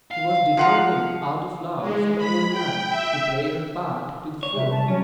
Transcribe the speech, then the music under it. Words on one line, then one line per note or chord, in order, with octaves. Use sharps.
She was determined, out of love for the old man, to play her part to the full.
F5
F3 F#5 A#5
G#3
B5
G5
E5
C#5
C2 E5
A5
F#3 C#4